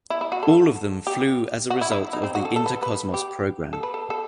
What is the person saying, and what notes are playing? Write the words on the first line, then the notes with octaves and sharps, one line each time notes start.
All of them flew as a result of the Intercosmos program.
E4
E4
F#4
A4
G4
F#4
E4
E4
D#4
C4
F#4
A4
A4
B4
B4
G4
A4
B4
A4
A4